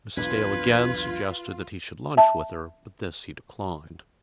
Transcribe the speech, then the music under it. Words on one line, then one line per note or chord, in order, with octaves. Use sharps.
Mrs. Dale again suggested that he should lunch with her, but this he declined.
B1 E2 D4 F4 B4 G#6
E5 A5